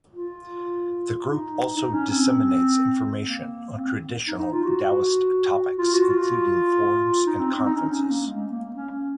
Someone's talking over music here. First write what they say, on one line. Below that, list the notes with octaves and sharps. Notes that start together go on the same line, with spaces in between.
The group also disseminates information on traditional Taoist topics, including forums and conferences.
F4
D#4
D#4
C#4
C4
A#3
C4
D#4
D#4
F4
F#4
F4
F#4
F4
D#4
C4
C4
D#4
C#4
C#4
A#3
G#3
A#3
C#4